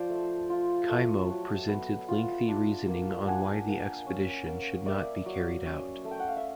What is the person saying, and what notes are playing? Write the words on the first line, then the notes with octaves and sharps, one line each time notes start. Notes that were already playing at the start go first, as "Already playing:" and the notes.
Cai Mo presented lengthy reasoning on why the expedition should not be carried out.
Already playing: F3 C5 D5
A3
F4
A3
F#3
B3
F4
D4
A#3
D4 F#5 G#5
A#3
C#4
A#3
A#3 D5 E5
F#3
C#4
A3
G5
F#5
F5
E5